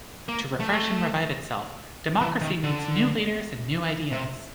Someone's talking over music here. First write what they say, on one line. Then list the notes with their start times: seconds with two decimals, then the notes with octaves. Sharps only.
To refresh and revive itself, democracy needs new leaders and new ideas.
0.29 A#3
0.60 A3
2.21 E3
2.41 D#3
2.64 D3
4.12 C3